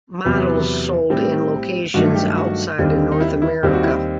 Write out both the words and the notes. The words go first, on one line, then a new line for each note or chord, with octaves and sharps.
Models sold in locations outside North America.
E2 C3 F#3 B3 B4
A2 G3 C4
G2 D#3 F#3 A3 F#4
G4
F#4
D#2 D#3 G3 C4
D#4
E4
E4
D#2 D#3 G3 C4 G4
F#4
E4